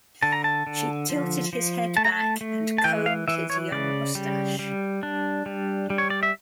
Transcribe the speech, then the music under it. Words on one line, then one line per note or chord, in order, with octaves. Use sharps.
She tilted his head back and combed his young moustache.
D3 A5
A#5
A5
D3
F3
F3
A3 A5
A#5
A5
A3
A5
E3 G5
F5
E3 E5
C#5
C#3 D5
G3
G3
D4
G3
G3
C#5
D5
E5